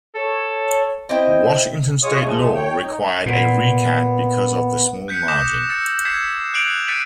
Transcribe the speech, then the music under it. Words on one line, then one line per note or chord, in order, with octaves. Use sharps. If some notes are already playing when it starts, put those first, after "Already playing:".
Washington State law required a recount because of the small margin.
A4 C#5
C4 E4 D#5 G5
G#3 F4 C#5 C#6 D#6
A#2 F3 G#3 A3
C#5 G5
D#4
A#2 B3
F#6 G6 B6 C#7
D6 D#6 G6 A#6 B6 E7
E6 A6 C#7
E6 G#6 B6 C7 E7
E6 F#6 C7 D7 F7 F#7
F#6 A6 B6 C#7 D#7 F#7